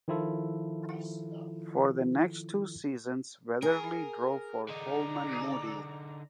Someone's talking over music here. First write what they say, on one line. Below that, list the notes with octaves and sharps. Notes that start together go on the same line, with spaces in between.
For the next two seasons, Weatherly drove for Holman Moody.
D#3 F3 E4 F4 A4
G#4 A#4
D3 D#4 D5 A#5